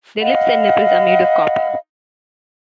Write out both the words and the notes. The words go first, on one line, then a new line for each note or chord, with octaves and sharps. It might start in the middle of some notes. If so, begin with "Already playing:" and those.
Their lips and nipples are made of copper.
D#5 F5 F#5 B5